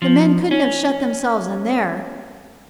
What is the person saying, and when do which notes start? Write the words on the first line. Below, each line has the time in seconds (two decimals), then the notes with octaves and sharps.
"The men couldn't have shut themselves in there."
0.02 F3
0.51 C#4